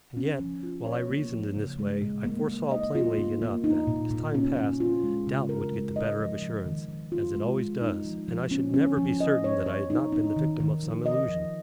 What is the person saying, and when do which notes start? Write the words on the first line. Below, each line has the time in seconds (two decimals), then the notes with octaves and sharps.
And yet, while I reasoned in this way, I foresaw plainly enough that, as time passed, doubt would get the better of assurance, as it always does, and I should never be certain that I had not been the victim of some illusion.
0.17 C#4
0.40 F3
0.63 F4
0.86 C#5
1.10 A#3
1.32 F3
1.56 C#3
1.79 G#3
2.02 A#2
2.25 A#3
2.49 A#3
2.71 D#5
2.95 F4
3.18 A#3
3.42 A#3
3.64 D#4
3.87 A#2
4.10 A#2
4.34 C#4
4.57 C#4
4.80 F4
5.04 G#3
5.27 C#3
5.49 A#4
5.72 G#3
5.96 D#5
6.20 F3
6.42 F3
6.66 D#3
6.89 D#3
7.12 F4
7.35 G#3
7.58 G#3
7.81 D#4
8.05 F3
8.28 F3
8.51 C#4
8.74 C#4
8.97 F3
9.20 D#5
9.44 C#5
9.66 C#5
9.90 D#4
10.12 D#4
10.36 D#3
10.60 D#3
10.83 F3
11.06 D#5
11.28 F3